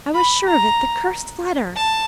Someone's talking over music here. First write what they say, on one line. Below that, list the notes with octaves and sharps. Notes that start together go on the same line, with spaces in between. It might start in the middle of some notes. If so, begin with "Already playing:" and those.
"I was sure of it--the cursed letter!"
B5
A#5
A5